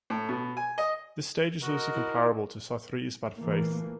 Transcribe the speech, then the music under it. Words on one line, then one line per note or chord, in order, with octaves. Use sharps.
This stage is loosely comparable to Sartre's bad faith.
A2
B2
G#5
D#5
F#4 A#4 D#5
E4
A#2 E3 A3 A#3